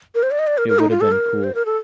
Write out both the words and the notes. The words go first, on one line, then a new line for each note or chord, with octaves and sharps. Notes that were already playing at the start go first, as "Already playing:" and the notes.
It would have been cool.
A#4
C5
D5
D#5
D5
A#4
A#4
D#4
F4
A4
A#4
C5
A#4
A4